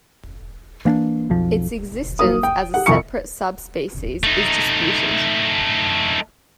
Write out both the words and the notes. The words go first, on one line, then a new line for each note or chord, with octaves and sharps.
Its existence as a separate subspecies is disputed.
E3 A#3 C4 D4
B1 F2 F3
F#3 A#3 D#6
G5
G4 F#5
C2 F2 C#6 C#7
A3 D#4